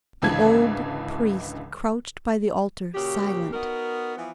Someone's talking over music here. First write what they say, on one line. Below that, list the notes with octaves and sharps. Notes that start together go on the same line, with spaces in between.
The old priest crouched by the altar, silent.
G#1 C#2 D3 E3 A5 G#6
A#2 C#3 F#4 G4
B3 D#4 F#4 A#4
E3 F3 B3